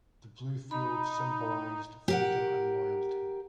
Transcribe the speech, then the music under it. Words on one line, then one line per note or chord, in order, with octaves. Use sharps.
The blue field symbolized freedom and loyalty.
D#4 B5
G4 A#4 F#5